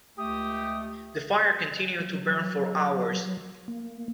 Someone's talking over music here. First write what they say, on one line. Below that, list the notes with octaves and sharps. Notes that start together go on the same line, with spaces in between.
The fire continued to burn for hours.
C#2 A3 G4 D#6
F#3
A#3